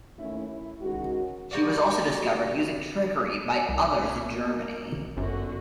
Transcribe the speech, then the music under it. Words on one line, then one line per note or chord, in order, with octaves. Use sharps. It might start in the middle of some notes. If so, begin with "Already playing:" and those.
She was also discovered using trickery by others in Germany.
D#2 A3 C#4 E4
E4
D#3 G#3 C#4 F#4
G3 F#4 D5
C2
C#4
A#3
G1 F#2 D3 F#4